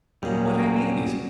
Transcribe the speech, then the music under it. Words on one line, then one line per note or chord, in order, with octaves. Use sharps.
What I mean is...
D#2 A#2 F#3 G3 C#4 G#4